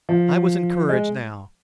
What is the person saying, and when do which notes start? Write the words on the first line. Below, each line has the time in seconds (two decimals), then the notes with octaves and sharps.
I was encouraged now.
0.09 F3
0.89 G#3